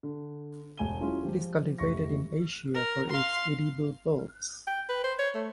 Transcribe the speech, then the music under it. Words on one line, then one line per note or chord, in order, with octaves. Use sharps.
It is cultivated in Asia for its edible bulbs.
D3
E1 G#5 D#7 G7
F#3 G#3 C#4 E4 F4
F3 G4
F1 E3 C#6 A#6
A#4
F5 C6
G5
B4
C5
C#5
A3